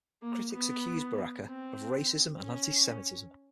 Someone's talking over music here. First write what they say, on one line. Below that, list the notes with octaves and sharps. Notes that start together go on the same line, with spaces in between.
Critics accused Baraka of racism and anti-Semitism.
A#3
B3
C4
C#4